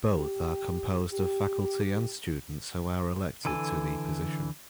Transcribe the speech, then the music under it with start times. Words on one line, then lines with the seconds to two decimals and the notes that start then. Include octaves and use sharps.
Both are composed of faculty and students who are elected to the position.
0.15 G4
1.11 G4
3.45 D3 E3 A4 G#5